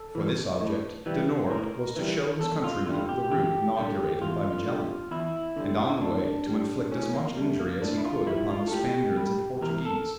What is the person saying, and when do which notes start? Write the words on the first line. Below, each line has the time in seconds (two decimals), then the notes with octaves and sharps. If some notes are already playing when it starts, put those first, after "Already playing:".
For this object, De Noort was to show his countrymen the route inaugurated by Magellan, and on the way to inflict as much injury as he could upon the Spaniards and Portuguese.
Already playing: A4
0.15 E3 G3
0.60 A2
1.06 E3 G3
1.50 A2 A#4
1.96 E3 G3
2.41 E2 A4
2.64 F4
2.86 D3 G3 F4
3.09 G4
3.30 E2 G4
3.76 D3 G3
4.21 E2 F4
4.66 D3 G3
5.11 E2 E4
5.56 D3 G3
6.01 A2 D4
6.47 G3
6.92 A2 C#4
7.14 A#3
7.37 G3 A3
7.59 A#3
7.81 A2 D4
7.98 E4
8.04 F4
8.27 G3 E4
8.50 F4
8.67 A4
8.72 A2 G4
9.17 G3
9.61 E2 A#4
9.85 A4